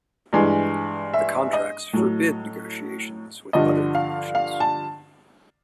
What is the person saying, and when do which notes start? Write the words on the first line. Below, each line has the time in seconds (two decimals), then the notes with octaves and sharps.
The contracts forbid negotiations with other promotions.
0.33 G2 E3 G#3
1.14 E5
1.53 D#5
1.93 A2 F#3
3.53 G2 D3 F3 D#5
3.95 F5
4.35 F5
4.60 A5